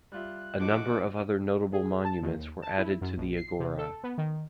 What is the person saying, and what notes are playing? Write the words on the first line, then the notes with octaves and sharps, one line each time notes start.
A number of other notable monuments were added to the agora.
G3 F4 E5 F#6
D3 F3 D#4 F#4 D6
G#4
A5
D#2
A5
E4
F#2
A#1
C7
C3
A4
B3
D#3